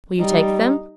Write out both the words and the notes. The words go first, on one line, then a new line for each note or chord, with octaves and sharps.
"Will you take them?"
G3 D#4